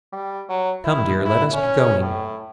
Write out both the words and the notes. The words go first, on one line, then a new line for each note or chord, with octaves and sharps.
Come, dear; let us be going.'
G3
F#3
E4
E4
C#4
A2